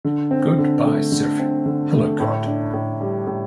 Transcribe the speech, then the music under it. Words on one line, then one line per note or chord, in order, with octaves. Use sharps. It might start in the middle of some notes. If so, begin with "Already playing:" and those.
Goodbye Surfing, Hello God!
D3
C4
D3
A3
D3
C4
D3
A3
A2
D4
A2
G3
A2